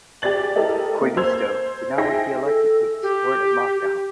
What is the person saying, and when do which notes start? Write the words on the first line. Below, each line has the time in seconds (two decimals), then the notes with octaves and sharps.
Koivisto did not want to be elected with the support of Moscow.
0.22 G4 G#4 D5 A6 F#7
0.56 E4 G4 A4 A#4 D#5
1.02 A#3
1.17 C5 E6 G#6 F7
1.97 D#4 G#4 E5 G5 A#6
2.44 A4
3.03 G4